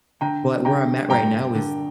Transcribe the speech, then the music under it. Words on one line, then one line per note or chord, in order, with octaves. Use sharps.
But where I'm at right now is
D3 G5 A#5
D3 G5 A#5
G2 G5 A#5
D3